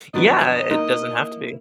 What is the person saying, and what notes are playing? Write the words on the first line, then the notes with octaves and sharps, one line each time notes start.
Yeah, it doesn't have to be.
F2 D3 F#3 B3 D4 D5 D#5
A#3 D#4 E4